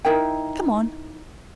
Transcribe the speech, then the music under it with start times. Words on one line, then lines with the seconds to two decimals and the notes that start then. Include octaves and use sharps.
Come on.
0.05 D#4 E4 A#4 G5